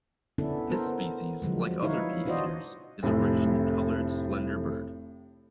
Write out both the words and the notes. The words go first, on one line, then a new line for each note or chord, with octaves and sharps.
This species, like other bee-eaters, is a richly-coloured, slender bird.
D3 B3 C#4 D4 E4 A4
B3 A4 A#4 C5
D3 F3 F#3 G#3
D#4 E4 B4 C#5 F5
D4 F4 F#4 C5 D5 D#5
F1 A2 A3